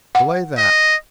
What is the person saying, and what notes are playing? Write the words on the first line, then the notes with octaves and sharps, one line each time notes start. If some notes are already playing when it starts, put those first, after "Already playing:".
"Belay that!"
F#5
D#5